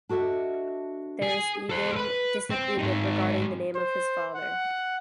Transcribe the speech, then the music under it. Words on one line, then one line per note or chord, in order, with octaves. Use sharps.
There is even disagreement regarding the name of his father.
D4 F#4 A4 D#5 E5
G#4
A4 C5
B4
C4
G#2 D#3
C5
F#5